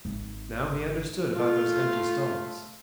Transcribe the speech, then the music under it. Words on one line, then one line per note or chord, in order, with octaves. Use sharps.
Now he understood about those empty stalls.
G#1
A3 F4